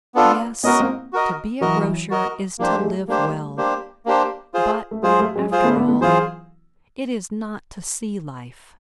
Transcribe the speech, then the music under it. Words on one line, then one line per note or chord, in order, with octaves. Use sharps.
Yes, to be a grocer is to live well; but, after all, it is not to see life.
B3 D4 F4 A4
B3 C#4 F#4 A#4 D#5
A#3 C4
F#4 A#4 D#5
E3 F#3 F#4 A#4 D#5
F#4 A#4 D#5
F3 G3 A#3 D4 G4 C5
G#3
G3 A3
G3 A3 A#3 D4 G4 C5
A#3 D4 G4 C5
A#3 D4 G4 C5
F4 G#4 C5
A3
F#3 G#3 F4 G#4 C5
G3 A3
F#3 G#3
F4 G#4 C5
A3 B3
A3 B3
A3 B3
E3 F#3 F4 G#4 C5